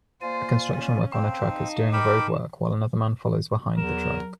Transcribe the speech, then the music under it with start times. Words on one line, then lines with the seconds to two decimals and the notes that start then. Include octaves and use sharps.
A construction worker on a truck is doing roadwork while another man follows behind the truck.
0.22 A#3 F4 C5 D5 G#5
0.73 C#4
1.12 C4 F5 A5
1.46 D#4
1.93 G#2 A#4 G5 A5 B5 D6
3.78 E2 F#3 A#4 E7